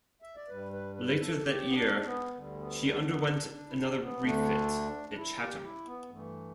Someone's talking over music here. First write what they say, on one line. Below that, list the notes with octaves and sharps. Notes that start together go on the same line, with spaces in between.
Later that year, she underwent another refit at Chatham.
E5
D5
G2 G3 B4
B4
B4
A4
G4
B3
D4
B3
D2 D3 G3
B3
D4
B3
D4
D4
E4
D4
B3
D2 D3 A3 D4
D4
E4
G4
E4
B3
G2 E3 A3